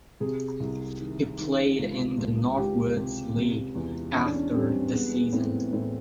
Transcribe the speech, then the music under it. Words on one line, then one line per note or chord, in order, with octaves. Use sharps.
He played in the Northwoods League after the season.
C3 G#4
C2
D#3
D#3
C#2
C#2
C#2 G4
C3
C3
E2
E2 C#4
D4
C#4
G3 C4
G#3 B3
A2 C4
A2 C4